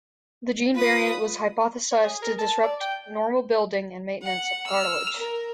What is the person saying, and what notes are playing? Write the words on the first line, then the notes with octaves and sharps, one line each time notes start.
The gene variant was hypothesized to disrupt normal building and maintenance of cartilage.
F4 B4 D#6
C#5
G#4
A#4
A5
D5
G5
F#5
E6 F6
A#4